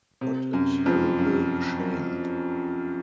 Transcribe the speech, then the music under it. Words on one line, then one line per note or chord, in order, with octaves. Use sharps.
What a terrible shame!
C3
F#2
F2
F#2